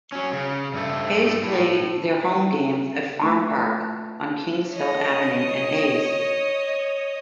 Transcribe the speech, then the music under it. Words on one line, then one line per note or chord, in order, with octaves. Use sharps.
Hayes play their home games at Farm Park on Kingshill Avenue in Hayes.
F#3 C#4
C#3
G2 A3
A2
A3 E4 F4 B4
C#5 D#5